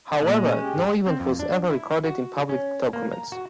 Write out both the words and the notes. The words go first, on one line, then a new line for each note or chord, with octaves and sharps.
However no event was ever recorded in public documents.
A#2 G#3 B3
C#4
G4
G#2
C4
F2
D4
E4
F#4
C#4
A#3
A#5
F#4